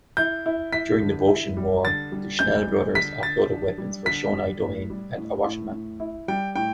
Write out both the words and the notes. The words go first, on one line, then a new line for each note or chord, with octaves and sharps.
During the Boshin War, the Schnell brothers offloaded weapons for Shonai Domain at Awashima.
E4 G6
E4
E4 B6
D3
E4
G3
D3 A6
G3
D2 G6
G3
D3 B6
D3 A6
D4
G3
D3 B6
G3
A2
G3
A2
A2
A2
E4
G3 G5
A2 G5